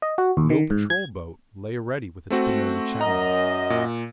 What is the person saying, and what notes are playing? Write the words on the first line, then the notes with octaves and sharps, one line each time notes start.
No patrol boat lay ready with its familiar challenge.
D#5
F#4
D#2
D#3
G#2
G#6
A3 C4 F#4
F#2 D#5 A#5
A#2